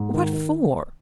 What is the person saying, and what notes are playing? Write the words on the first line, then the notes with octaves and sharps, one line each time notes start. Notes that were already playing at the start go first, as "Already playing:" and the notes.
What for?
Already playing: G#2
D#3
D#3